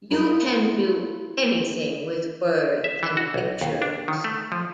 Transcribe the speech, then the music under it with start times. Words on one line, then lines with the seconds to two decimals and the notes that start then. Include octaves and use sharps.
You can do anything with words and pictures'.
0.10 E4 F4 G#4 A#4 D5 F5
2.84 E5
3.03 E3
3.17 F#4
3.34 B1
3.61 D#2
3.82 D4
4.08 D#3
4.24 A3
4.52 F3